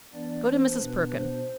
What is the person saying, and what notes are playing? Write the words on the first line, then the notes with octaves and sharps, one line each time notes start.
Go to Mrs. Perkin.
E3 B3 D4 D5
C5
B2 B3 D4 B4
C5